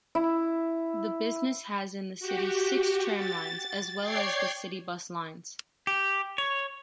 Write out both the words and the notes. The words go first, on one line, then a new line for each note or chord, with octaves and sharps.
The business has in the city six tram lines as well as the city bus lines.
E4
F#4 G4
A6
C#5 D5 G5 G#6 C7
G4
C#5